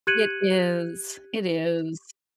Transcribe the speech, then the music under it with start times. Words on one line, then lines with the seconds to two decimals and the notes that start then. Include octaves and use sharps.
It is. It is.
0.07 G4 F#6 G#6 C#7 D#7 F#7